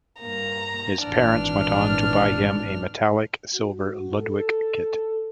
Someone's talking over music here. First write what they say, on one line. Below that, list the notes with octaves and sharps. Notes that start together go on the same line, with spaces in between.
His parents went on to buy him a metallic silver Ludwig kit.
G2 A#3 A#5
G#1 A#2 E3 D4 F6
F#4
A4